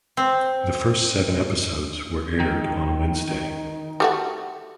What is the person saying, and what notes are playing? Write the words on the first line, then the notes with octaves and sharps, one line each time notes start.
The first seven episodes were aired on a Wednesday.
C4
D#3
G3 A3 F#4